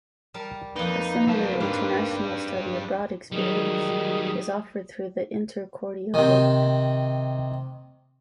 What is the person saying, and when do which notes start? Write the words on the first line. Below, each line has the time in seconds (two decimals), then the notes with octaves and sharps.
A similar international study abroad experience is offered through the Intercordia program.
0.34 G3 A#4 A5
0.76 F2 A#3 D#4 B4 D5
1.27 F#3 A5
1.60 G#2 G3 D4
3.32 D#3 F#3 G3 G#4
6.14 C3 D#3